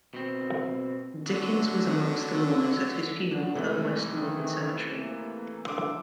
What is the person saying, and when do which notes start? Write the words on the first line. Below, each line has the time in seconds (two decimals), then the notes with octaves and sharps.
Dickens was amongst the mourners at his funeral at West Norwood Cemetery.
0.14 B2 C4
1.27 D3 F#3
3.31 D4 F#5
3.55 C3 E3 G#3 A3
4.09 D#3
4.96 A#3
5.66 D4 C6 D6 E6